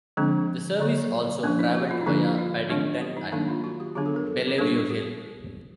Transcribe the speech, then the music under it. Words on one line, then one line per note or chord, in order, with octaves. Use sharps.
The service also travelled via Paddington and Bellevue Hill.
D3 F3 G#3 C4 D4
D3 F#3 A#3
F3 A#3 C#4 D4
E4
F#4
F4
D#4
D3 F3 A#3 D4 E4
E4
F4
D#3 F#3 A3 D4
G4
D#4
D#3 F#3 A#3 D4 D#4
F4
F#4
G4
D3 F#3 B3 D4 G#4
A4
A#4
A4
G#4
G3 B3 D4 A4
G4